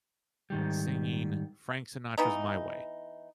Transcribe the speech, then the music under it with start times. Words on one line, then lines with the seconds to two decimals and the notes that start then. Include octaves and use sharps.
singing Frank Sinatra's "My Way."
0.50 G#2 D#3 G3
2.18 E3 B3 D#4